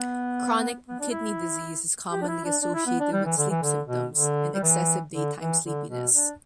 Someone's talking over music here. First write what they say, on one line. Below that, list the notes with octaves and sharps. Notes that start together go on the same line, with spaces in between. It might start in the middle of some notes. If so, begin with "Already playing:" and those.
Chronic kidney disease is commonly associated with sleep symptoms and excessive daytime sleepiness.
Already playing: B3
B3
D4
E4
G4
D4
E4
D4
D4
E4
B3
D4
G3
E3
D3
E3
D3
B2
D3
G3
E3
D3
E3
D3
B2
D4